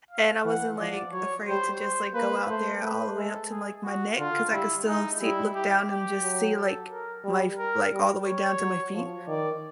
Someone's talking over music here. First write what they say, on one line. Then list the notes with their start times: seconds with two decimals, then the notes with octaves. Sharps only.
and I wasn't, like, afraid to just, like, go out there all the way up to, like, my neck 'cause I could still see look down and just see, like, life, like, all the way down to my feet.
0.11 F5
0.45 E3 F#5
0.78 F3 D5
1.12 F#3 C#5
1.47 G3 C5
1.80 C5
2.14 A#3 B4
2.49 A3 C5
2.83 A3 B4
3.16 G#3 A4
3.51 G#4
3.84 F#4
4.18 D3 F4
4.52 G3 E4
4.86 G#3 D#4
5.20 G3 E4
5.55 G4
5.89 G4
6.22 F#3
6.56 A4
6.90 A#4
7.24 G3
7.58 A#4
7.92 G3
8.26 C#5
8.61 F#3
8.94 F3
9.28 D#3 D5